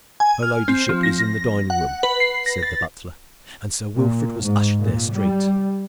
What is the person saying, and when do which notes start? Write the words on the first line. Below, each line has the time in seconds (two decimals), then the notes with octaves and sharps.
"Her ladyship is in the dining-room," said the butler, and Sir Wilfrid was ushered there straight.
0.20 G#5
0.43 F6
0.68 C4
0.89 F3
1.03 A#6
1.70 F#5
2.03 B4
2.20 C7
2.46 A#6
2.63 A6
3.96 A#2
4.45 G#2
4.80 A#2
5.14 G3